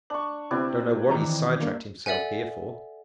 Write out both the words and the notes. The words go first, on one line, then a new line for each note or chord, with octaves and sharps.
Don't know what he's side-tracked himself here for.
D4 C#6 F#7
C3 C4 E4 B4 D5
D#3 E3 A#5
G2 A#3
A4 D5 E5 F#5 G#5